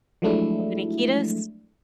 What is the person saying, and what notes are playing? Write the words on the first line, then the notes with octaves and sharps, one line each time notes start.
Anthony Kiedis?
F3 F#3 G#3 A3 D4 E4